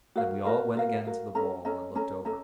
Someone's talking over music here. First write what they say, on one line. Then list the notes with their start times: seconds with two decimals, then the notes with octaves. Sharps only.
Then we all went again to the wall and looked over.
0.16 F#4 A#4 F5
0.45 F#4 A#4 F5
0.75 F#4 A#4 F5
1.05 F#4 A#4 F5
1.35 C#4 A4 D#5 A#5
1.65 C#4 A4 D#5 A#5
1.95 C#4 A4 D#5 A#5
2.25 C#4 A4 D#5 A#5